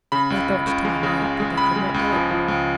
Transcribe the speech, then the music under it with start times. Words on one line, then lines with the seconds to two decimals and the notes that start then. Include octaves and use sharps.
They thought to tire me out, but they could not do it.
0.12 C#3 B5
0.30 C#2
0.48 C#2
0.67 C#2
0.85 G#3
1.03 C#3
1.21 G#3
1.40 G#3
1.57 C#2 B5
1.76 G#3
1.94 C#2
2.13 F3
2.31 F3
2.48 C#2